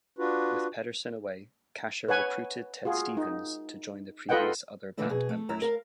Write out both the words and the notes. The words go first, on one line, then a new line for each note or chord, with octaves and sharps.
With Pederson away, Kasher recruited Ted Stevens to join the previous other band members.
D4 F4 F#4 B4
B4 C#5 F#5 G#5
F4 F#4 G#4
D#4
F4 A4 B4 D#5 F#5 G5
A#2 D3 E3 A3 D4 E4
B2 G#4
A3
F#2 E4 A#5
A#4 F5